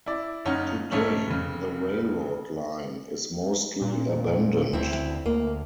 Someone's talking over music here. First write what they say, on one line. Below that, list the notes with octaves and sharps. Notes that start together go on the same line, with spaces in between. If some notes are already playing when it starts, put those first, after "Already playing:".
Today the railroad line is mostly abandoned.
E4 D5
F#1 C#4 D#4 F#5 F6
B1 G#2 A3 C#4 F6
F1 C#3
A#2
D2 C4 E4
D2 A#3